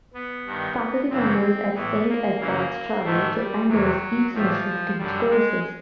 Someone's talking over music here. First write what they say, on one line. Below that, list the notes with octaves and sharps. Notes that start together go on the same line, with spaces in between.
Faculty members at Saint Edward's travel to Angers each semester to teach courses.
B3
G2 D#3
F#2 C#3 E3 C4
A2 E3 B3
A#3
F#2 C#3 E3 A#3
G#2 D#3 A3
G3
E2 C3 E3 F#3
A2 E3 F3
F#2 D3 G3
G#3